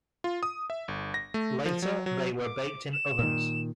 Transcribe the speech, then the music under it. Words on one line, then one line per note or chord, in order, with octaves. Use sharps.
Later they were baked in ovens.
F4
D#6
E5
G1
A#6
A3
F3
F#3
F#3
D6
E7
A#2 D#3